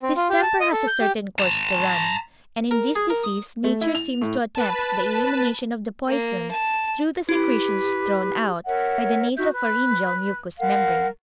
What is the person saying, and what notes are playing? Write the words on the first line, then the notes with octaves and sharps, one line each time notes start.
Distemper has a certain course to run, and in this disease Nature seems to attempt the elimination of the poison through the secretions thrown out by the naso-pharyngeal mucous membrane.
C4
F4
G4
A5
D#5
A4
G6
G4
A5 A#5
A#4
G#4
A#4
D#6
A3
E4
F7
A2
B4 A5
A#3
A5
E4 G4 B4
A#4 C#5 E5 F#5
D#4 F#4 E5 G6
B4
A#4 F5 F#5